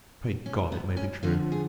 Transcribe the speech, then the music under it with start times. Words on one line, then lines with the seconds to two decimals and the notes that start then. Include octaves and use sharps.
Pray God, it may be true!
0.46 C#4
0.72 B3
0.97 C#4
1.23 F2 D3 F3 F4
1.52 G#4